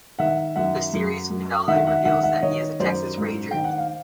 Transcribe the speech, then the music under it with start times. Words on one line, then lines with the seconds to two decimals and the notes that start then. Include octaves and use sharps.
The series finale reveals that he is a Texas Ranger.
0.19 D#3 E5 F#5
0.56 F#2 E5 F#5
0.93 F#2
1.30 F#2
1.68 D#3 E5 F#5
1.87 E5 F#5
2.05 D#3 E5 F#5
2.23 E5 F#5
2.42 D#3 C#5 D#5
2.80 F#2 C5 D5
3.17 G#2
3.51 D#3 G5
3.64 F#5
3.78 F5